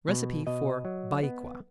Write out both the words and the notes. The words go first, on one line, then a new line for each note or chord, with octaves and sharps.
Recipe for Baikwa.
B2
B2 D#5
F#3
B3